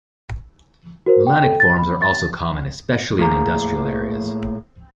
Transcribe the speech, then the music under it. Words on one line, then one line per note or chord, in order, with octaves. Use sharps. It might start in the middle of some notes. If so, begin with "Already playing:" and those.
Melanic forms are also common, especially in industrial areas.
F#4 A#4 C5
G5
A4 G5
A6
B5
A6
A2 A#3 G#4 A#5